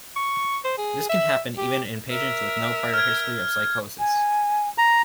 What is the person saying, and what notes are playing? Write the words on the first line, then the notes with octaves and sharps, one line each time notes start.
This can happen even in patients with no prior history of psychosis.
C#6
C5
G#4
E5
G4
A#4 E5
F6 G#6
G#5
A#5